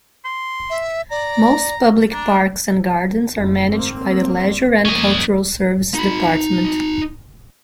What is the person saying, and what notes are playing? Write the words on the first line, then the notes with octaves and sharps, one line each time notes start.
Most public parks and gardens are managed by the Leisure and Cultural Services Department.
C6
E5
D5 A#5
D4 A#5
F#1 F#2
G#1 A#3 C4
F2 A#2 A#3 C#4 D#5
D#4 B5